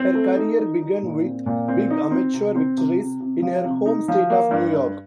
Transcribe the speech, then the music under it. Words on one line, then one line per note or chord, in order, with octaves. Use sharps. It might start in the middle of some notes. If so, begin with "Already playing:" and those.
Her career began with big amateur victories in her home state of New York.
Already playing: C4
A3
D#4
D#4
D#4
A#2
C4
A#2
C4
D#4
C4
C3
C4
C3
C3
C3
F3
C3
D#4
F3
A#3
G2
G2